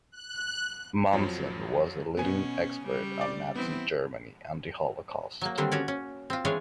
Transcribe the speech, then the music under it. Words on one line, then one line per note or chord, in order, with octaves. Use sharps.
Mommsen was a leading expert on Nazi Germany and the Holocaust.
F#6
F2 F3 F#3
B2 B3 C#4 G#5
C#3 G3
D5 D6
E3 B3 C4 E4
F#3 A#3
D3 D#3 G3 C4 D4
C#4 F#4 C#5 D5
C#4
C4 F4
E3 G#3 D4 C#5 F5 G#5